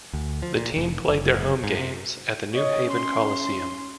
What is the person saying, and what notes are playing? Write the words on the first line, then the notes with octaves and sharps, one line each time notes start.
The team played their home games at the New Haven Coliseum.
D2
F3
A#2
F1
F#1
F#1
G#2
C3
C#5 D#5
C#4 C6